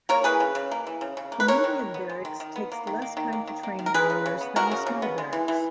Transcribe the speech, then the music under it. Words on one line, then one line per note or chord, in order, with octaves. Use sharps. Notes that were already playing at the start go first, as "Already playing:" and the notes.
The medium barracks takes less time to train warriors than the small barracks.
A#3 A#4 C#5
E3 G#4 B4
C#3
C#3
A#3
E3
C#3
C#3
A#3
B4
G#3 A#4 C#5
D#3
D#3
B3
G#3
D#3
D#3
B3
A#3
D#3
A#3
D#3
A#3
D#3
A#3
D#3
A#4
G#3 G#4 B4
C#3
C#3
B3
G#3 F#4 A#4
C#3
C#3
B3
G#3
E3
E3